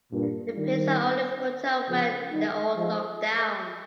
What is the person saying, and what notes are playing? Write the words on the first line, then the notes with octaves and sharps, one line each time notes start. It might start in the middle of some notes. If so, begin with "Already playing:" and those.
The pins are only put up when they are all knocked down.
G2 A#2
D#3 G3
C#3 F3
D#3 G3
F3 G#3